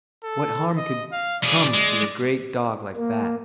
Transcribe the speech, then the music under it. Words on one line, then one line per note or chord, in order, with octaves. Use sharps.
"What harm could come to a great dog like that?"
A4
D#5
F5
B2 G#4 D5
G#3
A#3